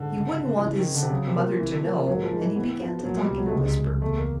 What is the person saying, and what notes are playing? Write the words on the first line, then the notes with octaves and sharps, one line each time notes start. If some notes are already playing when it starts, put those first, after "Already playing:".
He wouldn't want his mother to know, and he began to talk in a whisper.
Already playing: G#2 D3
C#3
C#3
F3
C#3 E3
D#3
C4
D3
C3
C#3 F#3
C3
A#3
A#2
C3 E3
F3 A#3
G#2 F#3
F3
G#2
E3
E3 B3
F3 B3
F3
A#2 F#3
G#3
G3
C2
F#3
A3
C#2 G#3
C#2
E2 A3
A#3